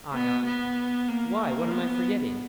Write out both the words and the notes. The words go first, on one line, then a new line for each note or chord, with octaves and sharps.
ION: Why, what am I forgetting?
B3
B3
A#3
B3